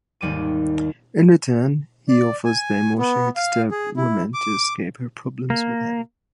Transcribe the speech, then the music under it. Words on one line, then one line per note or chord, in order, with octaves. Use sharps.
In return, he offers the emotionally disturbed woman to escape her problems with him.
G#1 D#2 G3 D6 D#7
D5
G#5
B3
F5
G#4
E4
D6
A#3